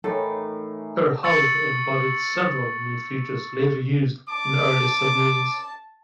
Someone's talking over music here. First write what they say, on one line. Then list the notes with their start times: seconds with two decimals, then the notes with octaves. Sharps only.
Her hull embodied several new features later used in early submarines.
0.04 A2 D#3 E3 A4
1.23 C#6 E6 A6 C#7 F#7
4.29 A5 D6